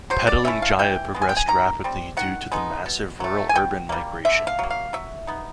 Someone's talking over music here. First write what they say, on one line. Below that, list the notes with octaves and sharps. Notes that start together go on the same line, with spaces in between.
Petaling Jaya progressed rapidly due to the massive rural-urban migration.
F#3 C5
D5
A3 C#4 E4 E5
F5
E3 G5
G#3 B3
G#5
G5
G#5
D#3 A#5
G3 C4
D#3 F#5
G#3 B3 D#4
B2
F#3 A3
G#5
B2 G5
G3 A#3
D3 E5
F5
F#3 A#3
F5
F#3 E5
B3 D#4